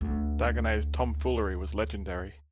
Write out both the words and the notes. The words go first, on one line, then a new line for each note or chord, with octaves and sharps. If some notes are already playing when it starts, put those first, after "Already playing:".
Dagonet’s tom-foolery was legendary.
D2 C4